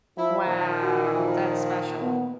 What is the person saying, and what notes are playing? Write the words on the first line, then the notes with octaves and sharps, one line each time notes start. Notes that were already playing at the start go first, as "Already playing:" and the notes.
Wow, that's special.
F3 E4
A#2 D#3
F#4
F3
B3